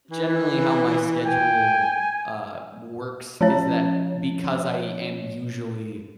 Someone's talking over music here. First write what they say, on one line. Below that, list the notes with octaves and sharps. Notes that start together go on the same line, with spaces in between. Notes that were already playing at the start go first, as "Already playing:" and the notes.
generally how my schedule, uh, works is that because I am usually,
E3
G5 G#5
F3 C#4 C#5